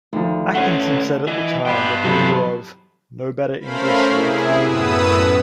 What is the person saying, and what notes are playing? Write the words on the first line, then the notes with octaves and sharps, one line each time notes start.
Atkinson said at the time he knew of "no better English left-back".
D2 D#3 F3
A3 C#4 C5 C#5 F#5
D3
E3 D#5 G#5
G2 B3 C5 G5 B5
C3 E3 F#3 A4 A5 B5
A3 C#4 A#4 C5 F5 B5
C3 E4 G#4
F#2 A2 B3 B4 D#6 E6